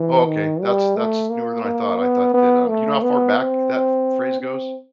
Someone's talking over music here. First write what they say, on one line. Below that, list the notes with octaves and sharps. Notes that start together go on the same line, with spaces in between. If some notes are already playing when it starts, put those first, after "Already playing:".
Oh, okay. That's that's newer than I thought. I thought that, um, do you know how far back that ph phrase goes?
Already playing: E3
D#3
G3
A3
A#3
A#3
B3
B3
A3
B3
C4
C4